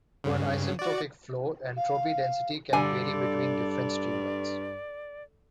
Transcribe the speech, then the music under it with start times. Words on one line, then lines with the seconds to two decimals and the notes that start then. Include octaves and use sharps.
For an isentropic flow, entropy density can vary between different streamlines.
0.24 G2 C#3
0.79 F#4 D5
1.76 F5
2.73 G2 D3 D5 G#5